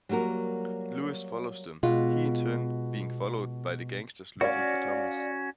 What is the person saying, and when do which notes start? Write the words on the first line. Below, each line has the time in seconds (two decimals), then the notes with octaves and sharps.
Lewis follows them, he in turn being followed by the gangsters looking for Thomas.
0.09 F#3 G3 A#3 F#4 A#4
1.83 B2 G#3 F4
4.41 C#4 F#4 C#5 D5 F5